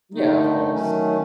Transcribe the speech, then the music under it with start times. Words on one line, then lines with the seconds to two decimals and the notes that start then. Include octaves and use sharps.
Yeah, of course.
0.14 D3 D#3 A3 D#4
0.72 D#3 F#3 A3 C#4